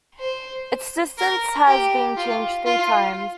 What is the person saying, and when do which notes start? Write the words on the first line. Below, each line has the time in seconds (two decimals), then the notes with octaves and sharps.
Its distance has been changed three times.
0.20 C5
1.18 A#4
1.67 G4
2.17 F4
2.66 F4